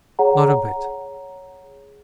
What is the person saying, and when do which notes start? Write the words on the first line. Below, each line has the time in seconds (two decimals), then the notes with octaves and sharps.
Not a bit.
0.19 G#4 C#5 F#5 A#5